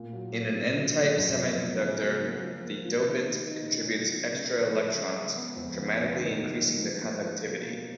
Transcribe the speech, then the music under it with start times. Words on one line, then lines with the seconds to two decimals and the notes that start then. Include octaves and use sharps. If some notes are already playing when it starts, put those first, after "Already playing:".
In an n-type semiconductor, the dopant contributes extra electrons, dramatically increasing the conductivity.
Already playing: A#2 A#3
0.13 F#3
0.34 A#3
0.55 A#2
0.76 F#3
0.96 A#3
1.18 F#2
1.39 F3
1.60 B3
1.80 C#3
2.01 F#3
2.22 A#3
2.43 F3
2.64 A#3
2.85 F4
3.06 D#3
3.27 A#3
3.47 D#4
3.68 C#3
3.89 F#3
4.10 B3
4.31 C#3
4.52 F3
4.73 G#3
4.94 C#3
5.15 G#3
5.36 B3
5.56 F2
5.77 C#3
5.98 G#3
6.19 D#3
6.40 F#3
6.61 A#3
6.82 F3
7.03 A#3
7.24 F4
7.45 B2
7.66 A#3